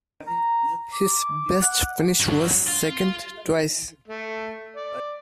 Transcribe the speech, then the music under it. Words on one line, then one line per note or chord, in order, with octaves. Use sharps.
His best finish was second, twice.
A#5
D6
F#5
G2 F#3
F4
A3
D5